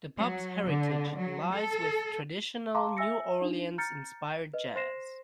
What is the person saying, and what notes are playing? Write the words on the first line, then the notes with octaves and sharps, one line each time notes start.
The pub's heritage lies with traditional, New Orleans inspired jazz.
F#3
D3
F#3
A4
F5 A5 A#5 C6 D6
E5 G#5 E6 A#6 C#7
D4 D#4
A#5 F6 G6 A6 C#7
B4 D#5
C5 C6 A#6 C7 E7